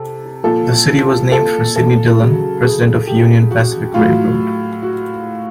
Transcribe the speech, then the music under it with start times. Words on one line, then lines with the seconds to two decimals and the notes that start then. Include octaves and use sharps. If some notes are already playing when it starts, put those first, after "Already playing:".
The city was named for Sidney Dillon, president of the Union Pacific Railroad.
Already playing: C3 A4
0.43 A#2 F3 A4
1.32 A4
1.76 A4
2.19 C#3 F#3
2.63 G#4
3.07 G4
3.51 F#4
3.94 A2 F#3 F4
4.83 F#4